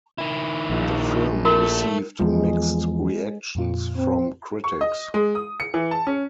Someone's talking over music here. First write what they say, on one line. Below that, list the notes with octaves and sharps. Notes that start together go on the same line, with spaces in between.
The film received mixed reactions from critics.
D#3 E4
A#1
A3 E4 F#4 A#4
E2 F3 G#3
F2 A#2 F4
C4
C#6
D#5
G#3
D#6
C#7
E3
A5
C#4